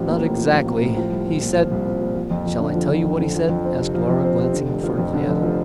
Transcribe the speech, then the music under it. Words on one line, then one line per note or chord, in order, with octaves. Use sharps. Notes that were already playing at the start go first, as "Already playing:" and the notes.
"Not exactly, he said--shall I tell you what he said?" asked Laura glancing furtively at him.
Already playing: A1 F3
A#3
A2
F3
A1
A#3
A2
F3
C2
C4
A#2
F3
C2
C4
A#2
F3
F2
F2
D3
F3
F2
F2
D3
F3
F2
C4
C3
F3
F2
C4
C3
D3
F1
F3
F2
D3
F1
F3